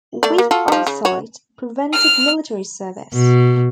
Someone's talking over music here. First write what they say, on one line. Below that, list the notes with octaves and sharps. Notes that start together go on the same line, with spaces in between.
Weak eyesight prevented military service.
A3 D5
A#3
F4 F#4 A4
F3 G3
C#3
F#4 C#5
F6
B2